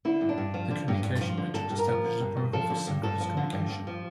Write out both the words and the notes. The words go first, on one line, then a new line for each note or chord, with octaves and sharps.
The "communication matrix" establishes a protocol for synchronous communication.
D3 E4
G2
D4
G2
F3
D3
G2
G2
F3
D3
G2 A4
G2
A#4
F3
D3
G2
G2
F3 A4
D3
G2
G2 A4
F3
D3
G2
G2
F3